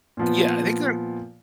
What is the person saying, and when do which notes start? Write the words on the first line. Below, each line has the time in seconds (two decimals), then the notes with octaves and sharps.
Yeah, I think they're
0.17 A#2 F3 B3